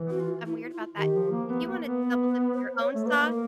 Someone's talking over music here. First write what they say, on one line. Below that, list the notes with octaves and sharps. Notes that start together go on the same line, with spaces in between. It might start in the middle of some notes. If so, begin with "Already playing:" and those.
I'm I'm weird about that. If you wanna double dip in your own sauce
Already playing: E3
F#4
F4
E4
F4
D#3 G4
F3
A#3
B3
A#3
B3
B4
B4
C5
C#5
A3
A#3 B4
A#4